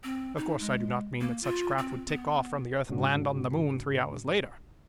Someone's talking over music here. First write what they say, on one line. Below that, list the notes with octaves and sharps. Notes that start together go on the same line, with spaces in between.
Of course, I do not mean that such a craft would take off from the earth and land on the moon three hours later.
C4
D#4
G#3
A#3
F4
C4
B3
G#2 C#3 D4 F#4